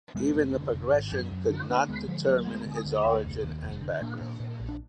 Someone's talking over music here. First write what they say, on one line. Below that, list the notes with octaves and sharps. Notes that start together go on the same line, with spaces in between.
Even the Progressors could not determine his origin and background.
F1 G#3 B3
F1
D3
F1
G#1
F#2
F#2
D3
D3 A#3 D4
D2 G#3 B3
D3 F3 G#3
D2 F#3 A#3
D2 G#3 B3
D3
D2
D2
F1
D#2
F1
D3
A#2 A#3 D4
A#2
A#2
A#1
D4